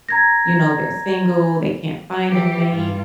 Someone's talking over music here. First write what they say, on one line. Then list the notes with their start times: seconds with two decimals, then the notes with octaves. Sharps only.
you know, they're single, they can't find a mate.
0.09 A#5 G#6 A#6
2.28 E3 G4
2.68 G2 F4